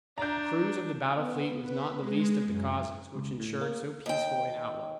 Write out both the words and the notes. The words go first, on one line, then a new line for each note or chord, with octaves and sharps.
The cruise of the battle fleet was not the least of the causes which ensured so peaceful an outlook.
D4 A#5 G6
B3
B4
G#3
F#2
C#2
A2
A#3
D#2 G5